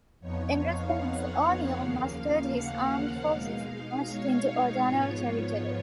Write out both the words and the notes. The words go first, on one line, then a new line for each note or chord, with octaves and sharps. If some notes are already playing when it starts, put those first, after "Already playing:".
In response, O'Neill mustered his armed forces and marched into O'Donnell territory.
F2 F3 B3 D#4 C#5
F5
F#5
D#2 C#3 F3 A#3 F5
F5
F#5
F5
B2 G#3 D#4 F5
F5
C#5
G#2 F3 B3 F4